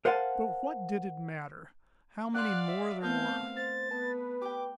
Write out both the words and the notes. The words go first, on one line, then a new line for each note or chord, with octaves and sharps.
But what did it matter how many more there were!
A#4 C5 F5 F#5 G#5 A5
D5 F5 F#5 C6 F#6
E5
A3 B3 C4 A#4 F5 A5 G6
C5 A6
B3 B4 A5
G4 G5 D6